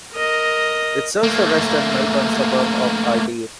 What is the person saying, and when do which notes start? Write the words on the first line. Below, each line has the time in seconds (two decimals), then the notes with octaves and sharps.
It serves the western Melbourne suburb of Ardeer.
0.14 A#4 D#5
1.23 A3 A#3